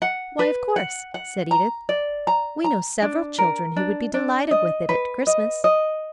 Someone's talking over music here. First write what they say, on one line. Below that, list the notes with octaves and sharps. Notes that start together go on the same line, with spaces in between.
"Why, of course," said Edith, "we know several children who would be delighted with it at Christmas."
F#5
B4
F#5
F#5
A#5
D5
A#5
A#5
D4
A#4
D4
D4
D#5
B4
D#5
D#5